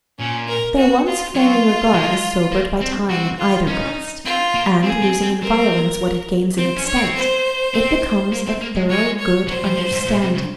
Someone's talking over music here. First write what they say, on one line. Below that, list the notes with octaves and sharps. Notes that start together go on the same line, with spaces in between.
Their once flaming regard is sobered by time in either breast, and losing in violence what it gains in extent, it becomes a thorough good understanding.
A#2 C#4
A#4
F#4
F4
F#3 F4
G#3
A#3
C4
C4 F#4
F4
C#4 D#4
C4 F4
A#3
C4 G#4
C4
C4
C4 A#4
C4 C5
C#4
C#5
C4
C5
C4
A#3
C4
A#3
G#3
G#3 C#5
C#5
F#3 C5
F3
F3
G#2
A#2
C3
C#3